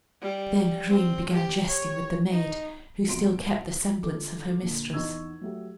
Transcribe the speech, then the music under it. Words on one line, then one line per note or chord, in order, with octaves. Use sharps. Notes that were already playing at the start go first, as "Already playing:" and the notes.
Then Rhun began jesting with the maid, who still kept the semblance of her mistress.
G3
C4
G4
C#5
D#4
B1 F2 F#3 C6 D7 E7
D3 F4 A4 D6
A#2 D3
E2 D#4 C#6 E6 G#6
F#3 A3 G4